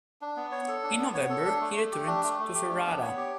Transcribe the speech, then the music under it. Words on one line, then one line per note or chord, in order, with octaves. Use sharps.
In November he returned to Ferrara.
D4
B3
C#5
A4
D4
B3
C#5
A4
D4
A3
A3
G4
D4
A3
A3
G4
D4
B3
C#5
G4